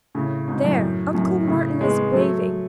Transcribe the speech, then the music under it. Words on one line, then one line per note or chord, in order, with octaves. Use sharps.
There, Uncle Martin is waving.
A2 C#3
G#2 B2
F#2 A2
F#2 A2
A2 C#3
G#3 B3
F#3 A3